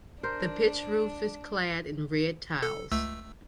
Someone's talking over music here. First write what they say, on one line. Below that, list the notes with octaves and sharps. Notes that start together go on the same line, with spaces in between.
The pitched roof is clad in red tiles.
D4 A#4 C5
A4
C#2 A3 E6